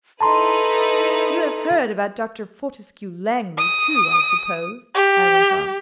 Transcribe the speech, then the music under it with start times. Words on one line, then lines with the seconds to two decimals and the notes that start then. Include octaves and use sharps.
'You have heard about Dr. Fortescue-Langley too, I suppose?' I went on.
0.21 D#4 E4 A4 B4 A5 A#5 C6
3.58 D#6
4.94 G4